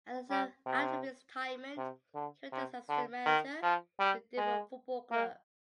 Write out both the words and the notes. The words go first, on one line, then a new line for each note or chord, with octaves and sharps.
After his retirement he worked as an assistant manager in the different football clubs.
G3
C3
C3
D3
C3
D3
D#3
F3
G3
G#3
A#3